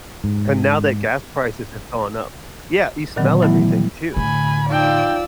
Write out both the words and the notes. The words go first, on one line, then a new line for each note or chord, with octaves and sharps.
and now that gas prices have gone up Yeah, you smell everything too.
G#2
A#2 D3 D#3 F#3 B3
E3 F#3 A3 B3 E4
G3
A2 D3 G#5 B5
F3 D#4 D5 G5 E6